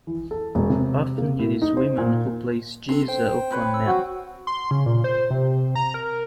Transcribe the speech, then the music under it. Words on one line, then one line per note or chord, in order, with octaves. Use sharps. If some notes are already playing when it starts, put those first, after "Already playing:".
Often it is women who place "geasa" upon men.
E3
A4
E1
C3
A#3
A2
D#4
C5
A#2
C4 D4 A4 C6
C5 G5
C4 B4 C#5
E6
F#4
C6
C#3
A#2
C5
C3
A#5
A#4